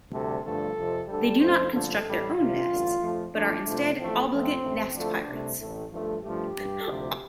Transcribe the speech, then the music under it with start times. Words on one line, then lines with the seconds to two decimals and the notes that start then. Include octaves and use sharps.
They do not construct their own nests, but are instead obligate nest pirates.
0.11 D2 C3 G3 A4
0.43 G2 D3 F3 A3 A4
0.76 F2 C3 F3
1.08 D2 D3 G3 A4
1.40 F2 F3 A3 C5
1.72 G2 D3 F3 A3 A4
2.05 A1 A2 G3
2.36 C2 C3 G3 F4
2.69 A1 G2 D3
3.01 F2 F3 A3
3.33 F2 F3 A3 D4
3.65 F2 C3 F3 A3
3.98 A1 A2 F3 A3 C4
4.30 F2 F3 A3 C4
4.62 A1 A2 A3
4.94 D2 D3 F3 A3 D4
5.27 C2 C3 A3
5.59 A1 A2 A3
5.91 G2 F3 A3
6.22 G2 F3 A3 G4
6.55 G2 G3
6.88 D2 C3 F3